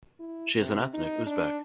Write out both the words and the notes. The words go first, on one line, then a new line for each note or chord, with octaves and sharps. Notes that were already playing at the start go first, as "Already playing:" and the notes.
She is an ethnic Uzbek.
E4
C3
D#4
D4